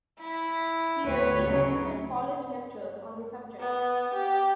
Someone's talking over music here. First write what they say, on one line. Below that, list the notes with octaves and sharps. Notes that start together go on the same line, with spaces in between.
He has even given college lectures on the subject.
E4
D2 B3 B4 C#5
C#3 F#3
B3
G4